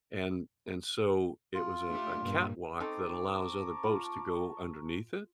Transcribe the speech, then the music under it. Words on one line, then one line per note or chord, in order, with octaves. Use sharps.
and and so, it was a a catwalk that allows other boats to go underneath it,
F4
A3 D4 G4
G2 A#2
C4 D#4 A4 A5 A#5 C#6 D6
F4